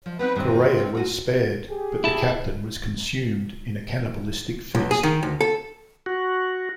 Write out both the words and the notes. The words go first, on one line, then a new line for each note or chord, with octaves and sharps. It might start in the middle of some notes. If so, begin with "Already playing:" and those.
Correia was spared but the captain was consumed in a cannibalistic feast.
F3
B3 C4 D#4 B4
G2 D#3 C4
C#4
F4 F#4 G#5
G4 G#4
E4 A5
B1
G#4
D#3
D2
A4
F#4